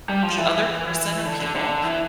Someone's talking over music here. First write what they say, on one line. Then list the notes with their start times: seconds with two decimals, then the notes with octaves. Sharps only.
the other person, or people,
0.09 G3
0.23 F3
0.38 E3
1.25 D3
1.40 D3
1.55 D3
1.84 E3